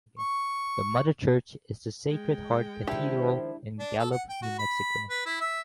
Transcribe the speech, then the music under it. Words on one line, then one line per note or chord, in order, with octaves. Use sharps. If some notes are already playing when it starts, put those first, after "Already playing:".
The mother church is the Sacred Heart Cathedral in Gallup, New Mexico.
C#6
G#3 G5
D#3 F3 D4 E4 G4
D4
A4
F#5
G5
F#4
B5
B4
E4
E5